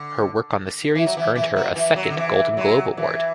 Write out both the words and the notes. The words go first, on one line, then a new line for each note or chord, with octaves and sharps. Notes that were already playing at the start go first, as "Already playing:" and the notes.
Her work on the series earned her a second Golden Globe Award.
Already playing: D3
E3
F#3
E3
E3
F#3
E3
F#3
D3
E3
F#3
E3